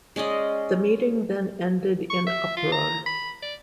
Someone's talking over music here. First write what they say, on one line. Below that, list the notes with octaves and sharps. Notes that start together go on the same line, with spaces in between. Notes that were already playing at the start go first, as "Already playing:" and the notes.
The meeting then ended in uproar.
G#3 C#4 D5 D#5
C#6
E5
F4
A#5
B5
D5